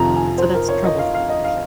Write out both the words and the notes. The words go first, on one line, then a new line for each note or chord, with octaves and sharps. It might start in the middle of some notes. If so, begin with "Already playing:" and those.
uh, so that's troublesome for sure.
Already playing: F2 C3 F3 A#5
G#5
C5
A#4
C#5
D#5
F5
F5
D#5
F5